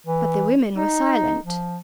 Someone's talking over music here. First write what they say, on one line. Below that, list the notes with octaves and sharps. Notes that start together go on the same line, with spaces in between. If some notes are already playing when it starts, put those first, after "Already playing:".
But the women were silent.
E3
D#4
F3